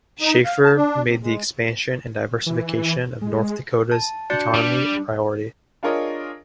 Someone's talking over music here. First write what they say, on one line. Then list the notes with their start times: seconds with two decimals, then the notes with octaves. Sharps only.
Schafer made the expansion and diversification of North Dakota's economy a priority.
0.21 D#4
0.44 F5
0.64 A5
0.76 D4
1.07 C3
1.23 G#3
2.46 E3
3.21 G#3
3.92 A5
4.30 D4 F#4 G6 C#7
4.54 G3 D6
5.83 D4 F4 G#4 A#4 C#5 D#5